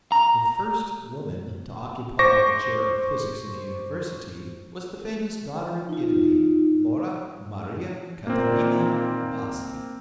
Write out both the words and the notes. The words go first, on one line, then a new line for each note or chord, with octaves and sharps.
The first woman to occupy a chair of physics in a university was the famous daughter of Italy, Laura Maria Catarina Bassi.
A#5
C5 C#6 D6 A#6
D#4 F4
A#2 D#3 A#3 C4